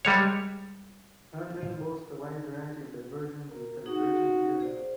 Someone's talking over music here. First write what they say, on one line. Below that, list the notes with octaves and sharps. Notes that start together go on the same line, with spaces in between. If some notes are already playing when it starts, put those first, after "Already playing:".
Herndon boasts a wide variety of diversions and celebrations year round.
G3 G#3 C#5
A#4
D#4 F#4 G#4
G#4 C5 D5